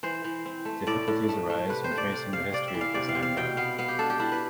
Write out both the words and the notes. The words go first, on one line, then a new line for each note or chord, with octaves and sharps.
Difficulties arise in tracing the history of design management.
E3 C5
E3
C4
A3
A2 D5
A2
A3
A3
C3 B4
C5
A3
D5
C3
C3 F5
C3 D5
E5
E3
F5
C3 D5
F5
C3
F5
B2 G5
B3 F5
B3 F5
G4
D4 A4
G4
D4 E4
B4